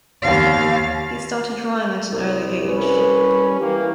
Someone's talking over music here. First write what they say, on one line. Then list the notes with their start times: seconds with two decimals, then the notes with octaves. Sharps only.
He started drawing at an early age.
0.22 D#2 F5
2.12 C2
2.68 G3 C#4 B4
3.60 E3 A#3 G4